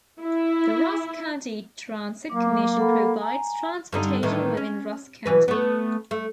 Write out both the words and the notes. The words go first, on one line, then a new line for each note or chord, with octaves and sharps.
The Rusk County Transit Commission provides transportation within Rusk County.
E4
F#3 A#3 D6
A4 F#5 B5
G#5 A#5
G2 D3 D#4
A2 D#3 E3
C#4
B2 E3 B4
A3 B3
A3